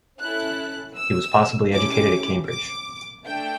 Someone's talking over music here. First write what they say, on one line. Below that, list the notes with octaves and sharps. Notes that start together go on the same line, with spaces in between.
He was possibly educated at Cambridge.
C#4 E4 A4 F#6
E6
A3 C#4 E4 G4 D6
D6
A3 D4 A4 G5